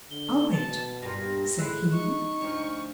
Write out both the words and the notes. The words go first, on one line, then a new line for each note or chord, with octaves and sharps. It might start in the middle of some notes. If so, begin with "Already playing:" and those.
"Owe it?" said he.
D3 G7
B2 A5
G2 A#2 A#6
A2 G#3 E4 F#6
D#4 C#6
D2 F3